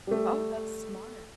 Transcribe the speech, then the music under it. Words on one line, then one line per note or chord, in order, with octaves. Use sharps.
Oh, that's smart.
G3 A3